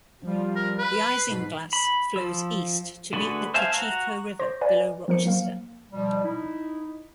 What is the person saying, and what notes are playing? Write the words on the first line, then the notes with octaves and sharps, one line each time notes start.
The Isinglass flows east to meet the Cochecho River below Rochester.
F3 G3 F4
A#4
B4
B5 C7
G#2 B2
B5
F3 E6
D3 A3 F#4 G#4 B4
C5 E5 F5 G#5 A5
F#4 A#5
C5 C6 D6 G6 A#6
A#4 B4 D5 D#5 F5 G#5
F3 B3 A#4 C5 C#7
F#3 A#3 F5
B2 F3 G3
D#4 E4